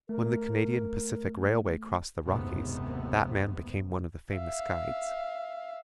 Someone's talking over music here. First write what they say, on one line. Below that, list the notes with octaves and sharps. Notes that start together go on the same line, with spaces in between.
When the Canadian Pacific Railway crossed the Rockies, that man became one of the famous guides.
A3 A#4
F#1 D#2 G#2 C3 B3
E5 F5